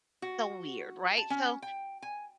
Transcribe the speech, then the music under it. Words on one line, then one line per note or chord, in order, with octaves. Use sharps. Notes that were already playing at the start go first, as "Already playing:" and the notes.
So weird, right? So,
F#4
A5
C#4
G5
G#5